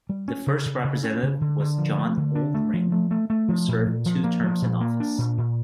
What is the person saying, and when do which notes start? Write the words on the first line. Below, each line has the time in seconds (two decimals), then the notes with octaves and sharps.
The first representative was John Oldring who served two terms in office.
0.09 G3
0.28 C#4
0.47 C#3
0.66 C#3
0.84 C#3
1.03 C#4
1.23 C#3
1.41 D3
1.60 D3
1.78 F3
1.98 A3
2.17 D3
2.35 D4
2.54 A3
2.73 F3
2.92 A3
3.11 A3
3.30 A3
3.48 F3
3.68 A#2
3.86 A#2
4.06 F3
4.24 A#3
4.43 F3
4.62 A#2
4.81 A#3
5.00 D4
5.18 A#2
5.38 A#2